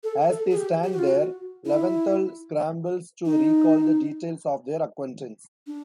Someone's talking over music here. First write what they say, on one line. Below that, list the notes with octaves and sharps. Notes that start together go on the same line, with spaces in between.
As they stand there, Leventhal scrambles to recall the details of their acquaintance.
A4
A4
G#4
G4
G4
F#4
F4
F#4
E4
D#4
D4